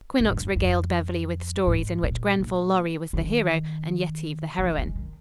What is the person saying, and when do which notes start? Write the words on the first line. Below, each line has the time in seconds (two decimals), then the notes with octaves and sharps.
Quinnox regaled Beverly with stories in which Grenfall Lorry was the hero and Yetive the heroine.
0.20 G#2
0.32 F2
0.56 F2
1.67 G#2
2.03 A#2
2.40 A#2
3.13 D#3
4.59 F3
4.78 G#3
4.95 D#3